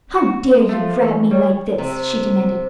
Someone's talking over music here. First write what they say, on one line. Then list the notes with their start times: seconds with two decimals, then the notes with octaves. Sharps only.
"How dare you grab me like this?" she demanded.
0.16 F#4
0.57 G#3
0.69 F3 A3 F4
0.94 E3
1.31 G3 C#5
1.78 C3